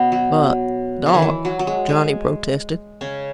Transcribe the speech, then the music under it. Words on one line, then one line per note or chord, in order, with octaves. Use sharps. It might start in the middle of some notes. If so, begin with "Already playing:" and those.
"But, Doc," Johnny protested.
Already playing: B2 B3 C#4
F#3
C#3
D#3
E3
F#3
F#3
G#3
G#3
C#3 C#4